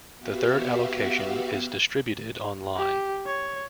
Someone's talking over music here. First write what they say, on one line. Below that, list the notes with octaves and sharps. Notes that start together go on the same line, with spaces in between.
The third allocation is distributed online.
B3 F#4 G4 E5 F5
G4
C#5